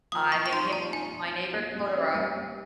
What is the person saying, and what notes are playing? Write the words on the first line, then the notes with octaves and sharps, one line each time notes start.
I made him watch My Neighbor Totoro.
F3 D#6
F3 C#6
C#6
D#4 C6
F3 A#5
D#4 G#5
F3
F3
A#3
G3
C#4
G3
G3